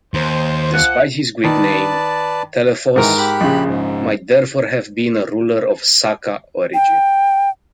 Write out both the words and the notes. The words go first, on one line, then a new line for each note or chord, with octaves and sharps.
Despite his Greek name, Telephos might therefore have been a ruler of Saka origin.
D#2 C5
F3 F#5
D#3 B4 D5 A5
G#2 D#3 E3 A#4
G4 B5 F#6
A#1 C#3
G#2
G5